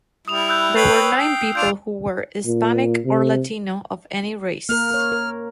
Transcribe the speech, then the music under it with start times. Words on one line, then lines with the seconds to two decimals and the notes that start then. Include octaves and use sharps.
There were nine people who were Hispanic or Latino of any race.
0.28 G3 E4 D#6 E7 F7
0.49 E6 F#6 G6
0.76 B4 C#5 G5 C7
1.18 G5
1.55 D4 F4 G6 D7 F7
2.46 A#2
3.05 C3
4.69 A#3 A#4 F6
4.91 A#4 C#5
5.12 A#4